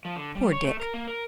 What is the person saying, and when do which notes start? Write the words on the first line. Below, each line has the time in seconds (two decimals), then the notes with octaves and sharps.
Poor Dick!
0.05 F3
0.16 D3
0.35 G3
0.52 C#5
0.65 A3
0.80 A#4
0.94 A#3
1.07 A#4